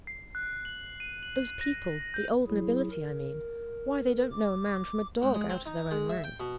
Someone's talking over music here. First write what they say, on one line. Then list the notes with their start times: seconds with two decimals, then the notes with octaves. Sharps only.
Those people--the old nobility I mean--why they don't know a man from a dog, out of their own rank!
0.07 C7
0.35 F#6
0.65 F#7
1.00 D#7
1.23 F#7
1.61 A#6
2.14 G6
2.47 F#3 E4 G#4
2.91 A#4
4.31 D6
5.22 G#2
5.34 G#3
5.49 C4
5.66 D#4
5.91 G#3
6.10 E5
6.24 G5
6.40 B2